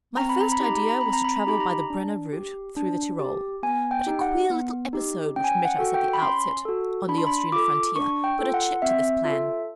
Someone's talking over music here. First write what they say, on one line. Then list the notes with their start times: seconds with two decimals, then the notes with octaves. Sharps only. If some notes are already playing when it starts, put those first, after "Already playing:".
My first idea was to travel by the Brenner route through the Tyrol; but a queer little episode which met us at the outset on the Austrian frontier put a check to this plan.
0.17 C4 A#5
0.29 B5
0.41 A#5
0.52 B5
0.60 D#4 G4 A#5
0.77 B5
0.89 A#5
1.01 C4 B5
1.13 A#5
1.25 B5
1.37 A#5
1.47 D#4 G4 B5
1.60 A#5
1.90 D4
2.33 G4
2.76 D4
3.19 G4
3.63 B3 G#5
3.91 G5
4.07 D#4 G4
4.21 F#5
4.50 B3
4.93 D#4 G4
5.36 C#4 G5
5.44 G#5
5.52 G5
5.65 F#5
5.79 F#4 A4
5.94 G5
6.13 B5
6.22 C#4 C6
6.65 F#4 A4
7.08 D4 B5
7.18 C6
7.27 B5
7.52 F4 A4 D6
7.96 D4 C#6
8.24 G5
8.39 F4 A4
8.54 F#5
8.82 C4 E5
9.25 F4
9.30 A4